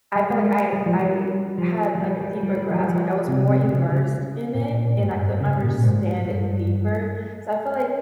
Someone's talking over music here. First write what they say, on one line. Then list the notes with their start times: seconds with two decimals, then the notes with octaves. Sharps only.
I felt like I I had, like, a deeper grasp, like, I was more immersed in it, and I could understand it deeper. So I feel like
0.16 G3
0.30 G#3
0.73 G3
0.86 F3
1.00 G3
1.58 F3
1.95 F3
2.01 G3
2.21 G3
2.43 G3
2.57 G3
2.71 F3
2.80 G3
2.89 F3
3.28 C3
3.49 C3
3.65 C3
3.70 C#3
3.91 C#3
4.54 A#2
4.98 G#2
5.12 G2
5.26 G2
5.40 C#3
5.62 A#2
5.82 G#2
6.25 G2